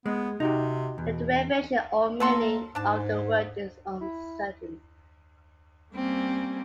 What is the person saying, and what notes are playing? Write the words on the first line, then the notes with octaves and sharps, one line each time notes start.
The derivation or meaning of the word is uncertain.
G#3 B3
C3 D#4 F#4 G4
E2 B2
F#3 A#3 A4 C6
G#2 D4 A5
E4
G3 A#3 C4 C#4